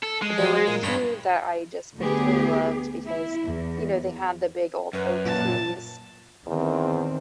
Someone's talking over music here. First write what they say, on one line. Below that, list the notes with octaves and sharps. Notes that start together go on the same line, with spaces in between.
there were a few that I just particularly loved because, you know, they had the big old oak trees,
A4
G#3
F3 F#3
A#2
G2 G#4 C#5 B5
D2 B3 G4 G#4
E4
E2
F#2 B4
A#2 A5
E2 D#3 C4